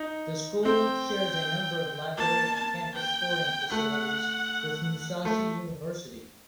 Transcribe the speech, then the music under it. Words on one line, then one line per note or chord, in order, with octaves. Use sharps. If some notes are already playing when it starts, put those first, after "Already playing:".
The school shares a number of library and campus sporting facilities with Musashi University.
Already playing: D#4
C4 G5
A#3 A5
A5
G5
A3 F#5
A3